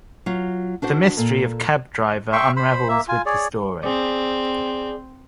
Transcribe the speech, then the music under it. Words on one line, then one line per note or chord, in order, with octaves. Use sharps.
The mystery of cab driver unravels with the story.
F#3 F4
D4 F#4 C5 F#5
A#2 A4
E5 G5 C6 C#6
C5 B5
A#3 E5
F4 G#5
G#4 C#5 D5
C4 G#4 D5